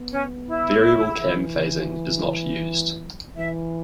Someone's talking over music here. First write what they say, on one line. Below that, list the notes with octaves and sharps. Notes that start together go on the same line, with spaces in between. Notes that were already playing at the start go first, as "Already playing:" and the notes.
Variable cam phasing is not used.
Already playing: B3
C#4
E4
E3
E3 E5